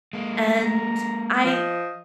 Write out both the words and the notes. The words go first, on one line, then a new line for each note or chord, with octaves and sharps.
and I
G#3 A#3
A#5
F3 D#5